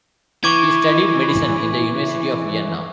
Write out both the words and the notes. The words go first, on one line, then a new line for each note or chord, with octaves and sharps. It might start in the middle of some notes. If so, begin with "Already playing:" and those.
He studied medicine in the University of Vienna.
E3 C#6 D6 G#6